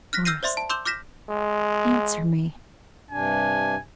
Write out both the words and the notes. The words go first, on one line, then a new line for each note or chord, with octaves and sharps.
"Doris, answer me."
F6 F#6 A#6 B6
E6 F6 G6 A#6 C7 D#7
C5 D5 E5 C6
A5
C6 D6 E6 G6 E7 G7
D6 F6 G6 A#6 B6 E7
G#3
G2 C3 D4 G#5